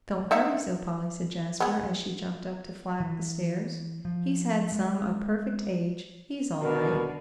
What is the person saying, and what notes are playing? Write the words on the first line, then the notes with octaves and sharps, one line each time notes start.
"Don't hurry so, Polly," said Jasper, as she jumped up to fly up-stairs. "He's had some a perfect age--he's all right."
D#4 E5 F#5
B3 G#4
E3
F3
G#3
B2 D3 A#4